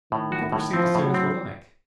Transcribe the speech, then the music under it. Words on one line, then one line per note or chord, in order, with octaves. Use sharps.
We can proceed as soon as we like.
A2 D#3
F#4
A2
F3 C4
A2
F#3
C4